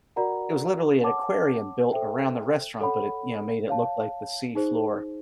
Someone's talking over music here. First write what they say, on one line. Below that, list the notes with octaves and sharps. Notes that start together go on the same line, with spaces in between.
it was literally an aquarium built around the restaurant, but it, you know, made it look like the seafloor.
F#4 A#4 D5 F#5 A#5
C#5 F#5 A5 D6
A4 C5 E5 G5
A4 C#5 F#5 B5
C#5 F5 A5
D#4 G#4 C5